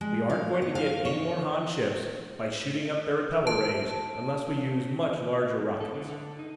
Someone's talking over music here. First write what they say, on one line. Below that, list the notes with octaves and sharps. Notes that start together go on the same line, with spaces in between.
We aren't going to get any more Han ships by shooting up their repellor rays unless we use much larger rockets.
G#3
F5
B3
F5
C#5
A5
A4
D3
D3
D#4